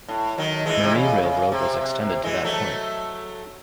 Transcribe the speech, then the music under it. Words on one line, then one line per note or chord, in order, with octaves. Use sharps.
Marie Railroad was extended to that point.
A2
D#3 F#3
E3 G#3
C3
C#3
C#3
C3
C3
C3
E3 G#3
F#3 A3